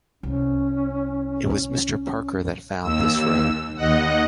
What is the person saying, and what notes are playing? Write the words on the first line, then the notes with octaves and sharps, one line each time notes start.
It was Mr. Parker that found this road.
C2 C#4
D#2 E6
D#2 D#5 F#5